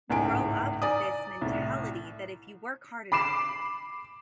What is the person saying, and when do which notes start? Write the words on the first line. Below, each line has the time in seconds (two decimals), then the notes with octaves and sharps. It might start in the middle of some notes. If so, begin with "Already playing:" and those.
grow up with this mentality, that if you work hard enough,
0.10 G#1 C#2 A2 G#5 D7
0.82 D5 G#5 A#5 D#6
1.41 C2 A2
3.12 B5 D6 C7 E7